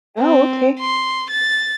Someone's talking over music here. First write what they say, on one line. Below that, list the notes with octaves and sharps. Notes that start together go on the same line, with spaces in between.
Oh, okay.
C4
C6
A6